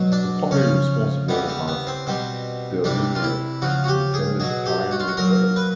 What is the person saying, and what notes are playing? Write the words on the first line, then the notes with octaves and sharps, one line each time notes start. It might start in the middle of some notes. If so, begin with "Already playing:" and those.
The party responsible must delineate the intended time and place.
Already playing: B2 F#3
D4
C#3 F3 C#4
C#3 E3 G3 B3
B3
B3
C4
B2 G3 C4
C3 E3 G3 D4
F4
E4
C#3 F3 F#4
F#4
G4
G#4
B2 F#3 G#4
G4
F#4
F4
F#4
A#2 F#3 A#4
B4